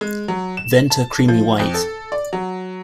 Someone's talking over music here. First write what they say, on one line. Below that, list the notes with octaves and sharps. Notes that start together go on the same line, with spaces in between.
Venter creamy white.
G#3
F#3
E7
A5
F3
F2
A4
D5
F#3